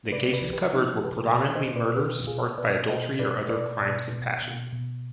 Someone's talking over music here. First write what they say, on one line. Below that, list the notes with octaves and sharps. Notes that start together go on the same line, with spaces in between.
The cases covered were predominantly murders sparked by adultery or other crimes of passion.
C3 B4 D5
B4 D5
F3
G4 B4
F3 D#4 G4
C3 G4 B4
B2
C5 D#5
B2
B4 D5
B2 G4 B4
B2 F4 G#4
B2 B4 D5
B2 C5 D#5
B2 B4 D5
B2 B4 D5
B2
B2
B2
B2